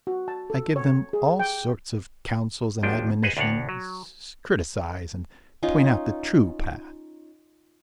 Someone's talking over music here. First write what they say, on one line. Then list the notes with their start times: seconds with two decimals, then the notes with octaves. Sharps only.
I give them all sorts of counsels and admonitions, criticise and point out the true path.
0.07 F#4
0.28 A5
0.50 A4
0.76 C#5
1.13 G#4
1.40 G5
2.82 G#1 D#2 F3 D4 G5
3.23 G#4 B4 C5 D#5 F#5 G#5
3.37 D2 A2 D4 C#5 F#5
3.69 F#3
5.63 C#4 D#4 F4